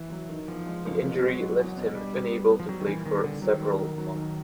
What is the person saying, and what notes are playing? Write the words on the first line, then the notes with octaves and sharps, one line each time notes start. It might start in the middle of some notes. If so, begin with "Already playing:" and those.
The injury left him unable to play for several months.
Already playing: E3
F#3
D#3
E2 F3
G#3
F#1
B2
F#3 G#3
F#1
E2
B2
G3 D4
B3
B3
B3
F3
F#3 G3
D#3
A#2 E3
D#3 B3
D3 G3
D#3 F#3
A#3
B1
F#3
B1